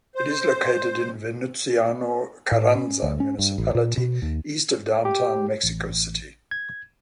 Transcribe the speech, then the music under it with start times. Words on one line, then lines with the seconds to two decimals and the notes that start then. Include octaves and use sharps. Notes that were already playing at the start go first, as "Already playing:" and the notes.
It is located in Venustiano Carranza municipality east of downtown Mexico City.
0.15 C5
2.52 A2
2.75 C#4
3.03 D2
3.20 C#4
3.39 G2
3.58 A1
3.75 A#2
3.97 B2
4.22 D#2
5.05 G4
5.64 A1
6.51 G#6